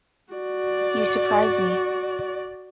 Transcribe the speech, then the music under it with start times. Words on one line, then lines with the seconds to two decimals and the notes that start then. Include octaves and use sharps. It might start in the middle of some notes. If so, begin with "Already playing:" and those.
You surprise me.
0.33 F#4 D5